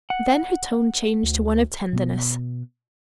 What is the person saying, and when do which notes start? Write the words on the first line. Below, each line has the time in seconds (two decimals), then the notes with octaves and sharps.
Then her tone changed to one of tenderness.
0.10 F#5
1.23 D2
1.93 B2 B3